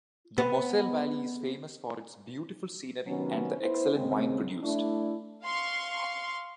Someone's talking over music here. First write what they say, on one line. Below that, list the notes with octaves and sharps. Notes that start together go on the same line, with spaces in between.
The Moselle valley is famous for its beautiful scenery and the excellent wine produced.
B3
C3 D#3 F#3 B3 C#4
B3 E4 B4 C5
D#2 C#3 G#3 C4
A3 D4 E4
F5 C6 C#6